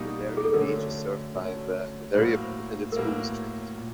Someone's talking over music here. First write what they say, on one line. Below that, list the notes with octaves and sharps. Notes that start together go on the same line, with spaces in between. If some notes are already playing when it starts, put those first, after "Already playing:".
Riviera Beach is served by the Riviera Independent School District.
Already playing: B2 G3 A#3 D#4
G#4
A4
D3 F#3 A3 C#4 A#4
D3 F#3 A3 C#4
A2 F#3 A#3 C5
A#4
A2 F#3 A#3 B4
A#2